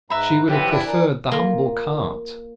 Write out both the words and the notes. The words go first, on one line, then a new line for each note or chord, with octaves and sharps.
She would have preferred the humble cart.
G#2 B4 E5 A#5 B5
F#2 C3 E3 F3 B3 G4
D4 E4
A#4 G#5
A#3 F4